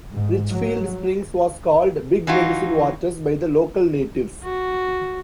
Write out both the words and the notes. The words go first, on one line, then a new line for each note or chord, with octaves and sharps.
Richfield Springs was called "Big Medicine Waters" by the local natives.
G#2
F#3
E3 F#3 D#4 F4 F#4
F#4